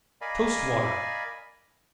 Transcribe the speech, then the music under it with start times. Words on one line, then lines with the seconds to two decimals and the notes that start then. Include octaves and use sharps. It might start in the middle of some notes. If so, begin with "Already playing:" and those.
Toast Water.
0.21 A#4 D5 D#5 F5 G#5 B5